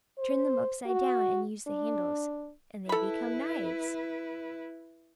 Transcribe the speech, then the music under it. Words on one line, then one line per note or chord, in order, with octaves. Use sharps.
"Turn them upside down, and use the handle, and they become knives."
C5
F#4
D4
E4 A4 B4 B5